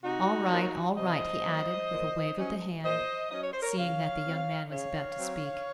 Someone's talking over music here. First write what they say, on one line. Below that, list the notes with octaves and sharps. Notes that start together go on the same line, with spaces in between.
"All right, all right!" he added, with a wave of the hand, seeing that the young man was about to speak.
C3 D#4 F#4
F#3 A#3
C3 C5 D#5
F#3 A#3
A#2
F#3 C#4
A#2 C5 D#5
F#3 C#4 D#5
C#5
C5
A#4 C#5
C#3 C#5 F5
F#3 C4
C#3 C#5 F5
F#3 C4